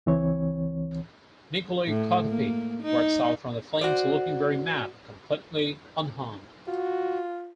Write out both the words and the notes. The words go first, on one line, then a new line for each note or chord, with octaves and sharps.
Nicolae Carpathia walks out from the flames looking very mad, completely unharmed.
C#2 E3 C4 C#5
A2
A#3
D#4
F#4 C5 D5
F4 F#4